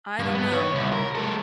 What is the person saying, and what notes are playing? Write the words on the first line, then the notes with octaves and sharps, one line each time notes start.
I don't know.
G2
B3
D#2 C#5
C2
A#4
G#3 A4